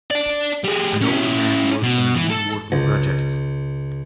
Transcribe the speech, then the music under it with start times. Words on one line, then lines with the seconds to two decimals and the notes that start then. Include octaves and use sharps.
An older man works on a woodworking project.
0.11 D5 A5
0.64 G3 G#4
1.01 C#4 E4
1.83 B2
2.15 E3
2.30 A4
2.72 C#2